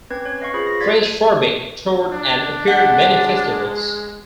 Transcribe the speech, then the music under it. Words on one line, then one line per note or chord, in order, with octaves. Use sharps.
FreshFarbik toured and appeared many festivals.
C4 C#4 B4 G#6
C#5
B4 D#5 F5 C#6
F4 G#4 C5 B5
A#6
D5 F5 C6 G#6 A6 B6
D4
G#3 F#5